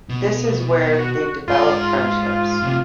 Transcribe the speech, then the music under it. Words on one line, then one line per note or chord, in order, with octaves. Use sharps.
This is where they develop friendships.
B2
F#4
G#2 F4 C6
A2 C3